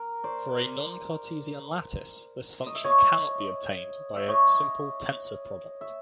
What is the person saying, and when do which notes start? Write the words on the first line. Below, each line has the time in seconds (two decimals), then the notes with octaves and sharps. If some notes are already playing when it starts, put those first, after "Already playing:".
For a non-Cartesian lattice this function can not be obtained by a simple tensor-product.
Already playing: A#4
0.24 C5 D5
2.67 D#5
2.75 E5
2.84 C#5 D#5
4.17 E5
4.28 C#5 D#5
5.81 E5